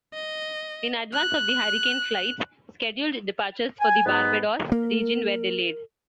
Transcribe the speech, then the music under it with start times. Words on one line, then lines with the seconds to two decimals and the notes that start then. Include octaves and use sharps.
In advance of the hurricane, flights' scheduled departures for the Barbados region were delayed.
0.14 D#5
1.13 F#6
3.81 G#5
4.06 G#2 B3
4.72 A#3 A#4